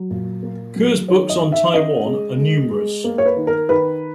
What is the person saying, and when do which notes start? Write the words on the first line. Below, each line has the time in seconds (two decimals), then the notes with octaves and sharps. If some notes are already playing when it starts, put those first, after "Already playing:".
Kerr's books on Taiwan are numerous.
Already playing: F#3
0.11 A#2
0.43 A#3
0.76 F#3
1.08 D#3 C#5
1.29 D#5
1.41 D#3
1.52 E5
1.73 C#3 D#5
2.06 G#3
2.38 G#3
2.71 G#3
3.04 A#3
3.18 C#5
3.26 B4
3.37 D#3
3.47 A#4
3.69 D#3 B4